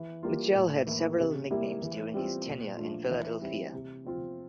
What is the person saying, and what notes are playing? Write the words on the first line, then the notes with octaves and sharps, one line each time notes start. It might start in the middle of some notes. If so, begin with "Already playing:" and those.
Mitchell had several nicknames during his tenure in Philadelphia.
Already playing: E3
G3 A#3 F4
A2
E3 A#3 E4
C3
G3 A#3 E4
E3
G3 C4 F4
A#2
F3 A3 D4 F4
E3
G3 C4 E4
C3
F3 C4 F4